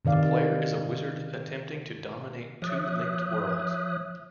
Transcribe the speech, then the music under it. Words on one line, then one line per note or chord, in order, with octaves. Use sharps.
The player is a wizard attempting to dominate two linked worlds.
C3 D#3 D5 F5
F3 C#5 E5 D#6 F#6